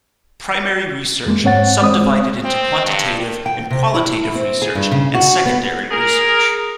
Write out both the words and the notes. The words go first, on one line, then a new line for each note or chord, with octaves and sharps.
Primary Research sub-divided into Quantitative and Qualitative research and Secondary research.
F2 G#3 A#3
G#2 C4 C#5 F#5 A6
G#3 C4 D#6
C4
G2
G5
C3
E4
C4
G#4
G2
C#3
F#4
B3
G#4 A#4